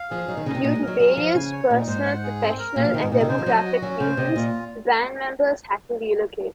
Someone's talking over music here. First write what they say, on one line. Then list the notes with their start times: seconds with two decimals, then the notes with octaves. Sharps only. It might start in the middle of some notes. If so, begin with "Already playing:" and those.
Due to various personal, professional, and demographic reasons the band members had to relocate.
Already playing: F5
0.10 F3 G#4
0.28 F#3 D#4
0.37 D#3
0.46 C#3 D#5
0.55 C3
0.64 A#2 D#4
0.75 G#3
0.82 A#4
0.87 F#3
1.00 F#3 G#4
1.17 F3 F5
1.35 C#3 G#5
1.52 C#5
1.70 A#2 D#4
1.87 G#2 C5
2.05 F#5
2.24 G#4
2.41 C4
2.59 A#4
2.76 A#2 F5
2.85 F3
2.94 D#3 D#4
3.02 G#2
3.12 A#2 D#4
3.21 C3
3.29 C#3 C5
3.38 F3
3.46 F#3 D#5
3.65 F#4
3.82 F#3 C#4
4.00 C#3 C5
4.17 C3 D#5
4.36 A#2 F4